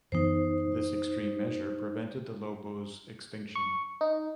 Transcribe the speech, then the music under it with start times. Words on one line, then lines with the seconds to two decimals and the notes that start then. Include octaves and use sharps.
This extreme measure prevented the lobos' extinction.
0.12 F#2 E3 B3 D#4 C5
3.55 C#6
4.01 D#4